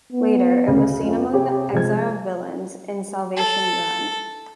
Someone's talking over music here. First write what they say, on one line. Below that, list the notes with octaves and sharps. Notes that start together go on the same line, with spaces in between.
Later, it was seen among the exiled villains in Salvation Run.
B3
D2 C#3
F2
C3 G4 G#4 C#5
C3 F3 G#3 G#6
A4